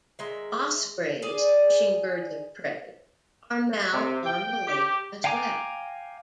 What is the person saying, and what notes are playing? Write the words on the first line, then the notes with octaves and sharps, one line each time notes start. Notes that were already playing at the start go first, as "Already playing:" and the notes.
Ospreys, fishing birds of prey, are now on the lake as well.
D#3 G#3 E5
G#4 D5
C3
G5
G4
F5 G5 G#5 A#5 D6